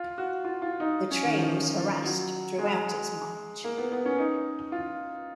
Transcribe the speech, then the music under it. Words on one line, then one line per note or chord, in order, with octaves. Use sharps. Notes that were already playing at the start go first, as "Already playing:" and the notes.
The train was harassed throughout its march.
Already playing: F4
F#4
F4
F4
D#4
C#4
D#3
F3
F3
F#3
G#3
A#3
B3
B3
C#4
D#4
F4